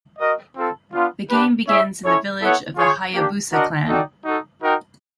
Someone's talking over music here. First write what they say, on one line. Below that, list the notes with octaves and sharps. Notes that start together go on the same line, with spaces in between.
The game begins in the village of the Hayabusa clan.
F#4 A#4 D#5
C4 F4 A4
B3 D4 F4
D4 G4 B4
E4 G#4 C#5 E5
C#4 E4 A4 C#5
B3 E4 A4 C#5 F#5
F4 G#4 C#5
A#3 D4 G4
D4 F#4 A#4 D#5 F#5
D#4 F#4 A4 D5 G5
D#4 F#4 A4
D#4 F#4 A#4 D#5 G5